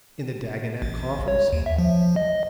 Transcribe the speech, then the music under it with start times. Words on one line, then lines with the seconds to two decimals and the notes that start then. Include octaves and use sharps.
In the Dagonet coffers?
0.82 A1
1.28 C#5
1.52 D#2
1.66 E5
1.78 F3
2.16 D#5